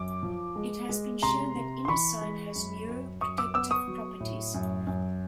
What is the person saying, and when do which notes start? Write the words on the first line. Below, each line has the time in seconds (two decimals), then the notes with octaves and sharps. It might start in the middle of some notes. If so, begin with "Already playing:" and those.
It has been shown that inosine has neuroprotective properties.
Already playing: F#2 D6
0.23 F3
0.56 G#3
0.89 G#3
1.22 C3 A#5 C6
1.55 C3
1.85 C6
1.88 E3 B5 C#6
2.21 G#3
2.55 F#2
2.89 F#2
3.21 F#2 C#6 D#6
3.38 D6 E6
3.54 B3 D6 E6
3.71 C#6 D#6
3.88 F#3
4.20 A2
4.54 F#2
4.87 F#2